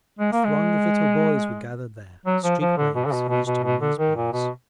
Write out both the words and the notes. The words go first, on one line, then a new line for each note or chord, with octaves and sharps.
A throng of little boys were gathered there--street waifs who used to be newsboys.
G#3
A#3
G#3
F#3
F3
F3
D3
B2
D3
B2
B2
B2
B2
D3
D#3
A#2
B2